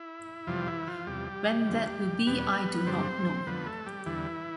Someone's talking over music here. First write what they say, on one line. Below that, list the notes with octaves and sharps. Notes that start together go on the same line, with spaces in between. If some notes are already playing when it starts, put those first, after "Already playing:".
When that will be I do not know.
Already playing: E4
F2 C3 E3 F3 G3 F4
E3 E4
F3 F4
E2 C3 F3 G3 G4
F2 D3 F3
E2 B2 G3 B3 B4
G2 D3 G3 C4 C5
F2 D3 F3 B3 B4
A3 A4
G3 G4
E2 D3 E3 G3 E4